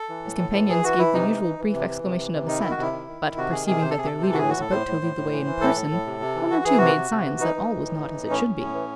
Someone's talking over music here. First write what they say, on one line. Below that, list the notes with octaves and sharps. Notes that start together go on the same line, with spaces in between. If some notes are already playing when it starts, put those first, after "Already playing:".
His companions gave the usual brief exclamation of assent, but, perceiving that their leader was about to lead the way in person, one or two made signs that all was not as it should be.
Already playing: A4
E3
A2
A2
E3
E3 G#4
E3 F#4
E3 E4
C3 D#4
E3
E3
E3
C3
E3
C3
E3
C3
D#3 D#4
D#3 E4
F#4
C3 E4
D#3
D#3
D#3
C3 F#4
D#3 G#4
C3 G#4
C3 C5
A4
C3 G#4
A4
C3
C5
E3 A4
F#4
A2 G#4
F#4
A2 A4
A2 C5
A2
A2
A2
E3
E3
A2 A4
A2
A2
C3
C3
E3
E3 F#4
E3 G#4
C3 F#4
C3
C3
E3
E3 D#4
E3
E3
A2
E3
A2
A2 C#4
A2
A2
E3